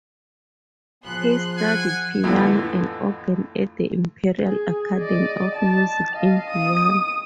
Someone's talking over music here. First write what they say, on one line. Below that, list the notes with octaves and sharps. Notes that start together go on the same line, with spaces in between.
He studied piano and organ at the Imperial Academy of Music in Vienna.
F3 B3 G#4 C6 F#6
F#5 G#5
F2 A2 D3 E3
G#4
D5 D#5
A5
D#5 F5
D#6